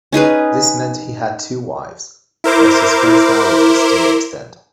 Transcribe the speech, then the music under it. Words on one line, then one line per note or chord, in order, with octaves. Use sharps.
This meant he had two wives, as his first marriage was still extant.
C#4 D#4 G#4 B4
E4 A#4 C5 D6